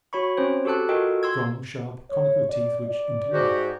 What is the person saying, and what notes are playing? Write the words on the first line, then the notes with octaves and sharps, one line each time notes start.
Strong sharp conical teeth which interlock.
F#4 C#5 B5 C#6
C4 C#4 C5 C#5
F#4 G4 A4 A5 F#6
F4 F#4 A4 A#4 D#5 G5
C6 E6 G#6
C#5
D5
D5
G#2 F#4 G4